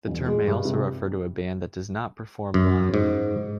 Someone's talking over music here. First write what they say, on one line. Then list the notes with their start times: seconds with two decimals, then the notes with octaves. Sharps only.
The term may also refer to a band that does not perform live.
0.08 E1
0.26 G#3
0.48 G2
0.65 C3
2.54 F#2
2.94 G#2